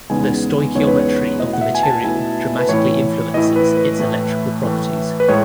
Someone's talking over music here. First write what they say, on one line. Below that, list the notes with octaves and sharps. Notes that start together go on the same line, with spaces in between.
The stoichiometry of the material dramatically influences its electrical properties.
E2 C#3 G#3 B3 D#4 G#5
E2 C#3 G#3 B3 D#4 C#5
B4
C#5
B2 A3 E4 D#5
F#5
E5
G#5
A5
B2 A3 E4 G#5
B4
A2 E3 A3 E4 C#5
A2 E3 A3 E4 D#5
B4
B4
A2 E3 A3
A2 E3 A3
B4
A2 G#3 C#5